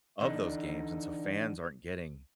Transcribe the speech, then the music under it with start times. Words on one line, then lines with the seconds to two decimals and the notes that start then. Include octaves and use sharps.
of those games, and so fans aren't getting
0.21 D3 E3 D4 D#4